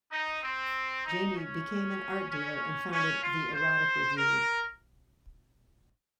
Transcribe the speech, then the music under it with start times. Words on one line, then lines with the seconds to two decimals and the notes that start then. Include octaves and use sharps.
Jamie became an art dealer and founded the "Erotic Review".
0.12 D#4
0.42 C4
1.05 D#4
1.36 C#4
2.29 C#4
2.91 C#4
3.23 F4
3.53 C5
4.16 A#4